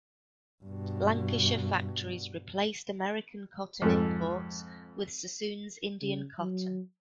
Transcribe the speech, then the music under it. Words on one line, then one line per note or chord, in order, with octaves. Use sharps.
Lancashire factories replaced American cotton imports with Sassoon's Indian cotton.
G2 B2
F2 G#2 A4
C#3
F#3